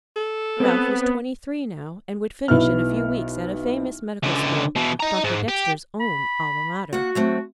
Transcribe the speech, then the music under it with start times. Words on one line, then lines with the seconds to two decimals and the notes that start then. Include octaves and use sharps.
Ralph was twenty-three now and would finish in a few weeks at a famous medical school--Doctor Dexter's own alma mater.
0.16 A4
0.60 B3 C4
2.48 B1 B3 E4 E5 F6
4.23 C#2 D3
4.76 B2 E3
5.00 D#5 A#5
5.24 G#2
5.48 G4
6.00 B5
6.93 A#3 F#4 F#5
7.15 F#3 A3 C4